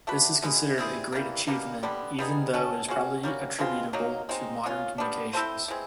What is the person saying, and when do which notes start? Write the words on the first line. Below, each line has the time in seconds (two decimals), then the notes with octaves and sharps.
This is considered a great achievement even though it is probably attributable to modern communications.
0.07 A3 D4 F#4 B4
0.43 B2 G#3 B3
0.78 G3 C4 E4 G#4
1.12 E3 G3 A#3
1.47 B2 G3 A#3
1.83 D3 G3 B3
2.19 G3 B3 D#4 G#4
2.54 C#4 F#4 A4
2.88 G#3 C#4 F#4
3.23 G3 A#3 C#4 F#4
3.59 B2 G#3 C4 F4
3.93 F#3 A#3 D#4
4.29 G#3 C4 D#4
4.63 A#3 C#4 F4
4.98 G3 B3 D4
5.33 C4 E4 A4 C5
5.68 E3 G#3 C4